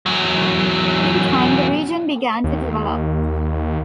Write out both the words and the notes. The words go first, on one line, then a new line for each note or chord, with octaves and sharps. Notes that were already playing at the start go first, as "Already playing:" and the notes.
In time, the region began to develop.
E2 F#3
D#2